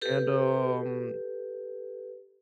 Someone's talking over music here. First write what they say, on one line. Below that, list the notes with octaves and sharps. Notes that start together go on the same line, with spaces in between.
and, um,
G4 A4 B4